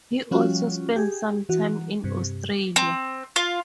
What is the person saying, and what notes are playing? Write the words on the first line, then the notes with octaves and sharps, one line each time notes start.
He also spent some time in Australia.
F3 G3 C#4 F4 F#4
G4 G#4
E3 F#4
G2 C3
C4
F4